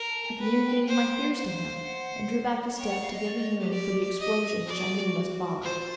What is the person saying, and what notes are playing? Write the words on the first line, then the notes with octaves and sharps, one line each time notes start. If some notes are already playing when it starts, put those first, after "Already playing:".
I communicated my fears to him, and drew back a step to give him room for the explosion which I knew must follow.
Already playing: A#4
A5
G#5
B4 G5
F#5
G5
C5
C5 F#5
F5
F5
F#5
C#5 G5
F#5
F5
D#5
D5
D#5
G4
D5
D#5
F#4 D5
F4 C5